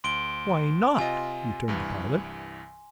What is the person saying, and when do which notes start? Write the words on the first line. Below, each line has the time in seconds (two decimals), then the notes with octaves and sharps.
"Why not?" returned the pilot.
0.04 D2 C6 D7 G7
0.98 C3 F4 D#5 G#5
1.68 C2 G2 E3